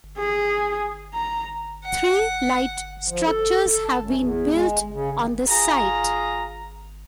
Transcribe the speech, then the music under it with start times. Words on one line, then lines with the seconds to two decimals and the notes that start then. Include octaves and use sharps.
Three light structures have been built on this site.
0.18 G#4
1.14 A#5
1.85 F#5
3.08 F3
3.27 A4
3.72 A4
3.85 A5
4.00 F#2
4.18 E2
4.53 G#3
4.91 C#3
5.18 D#3
5.50 F4 G#4 A#5